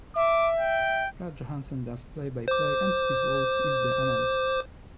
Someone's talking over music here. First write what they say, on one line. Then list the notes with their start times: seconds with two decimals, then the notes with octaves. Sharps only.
Brad Johansen does play-by-play and Steve Wolf is the analyst.
0.15 E5 D6
0.59 G5
2.48 C5 D6